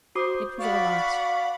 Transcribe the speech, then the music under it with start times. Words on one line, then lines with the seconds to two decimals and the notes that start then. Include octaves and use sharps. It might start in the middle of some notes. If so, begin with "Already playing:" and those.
"It was all right."
0.15 F#4 C5 D6 D#6
0.59 D5 F5 F#5 B5 C#6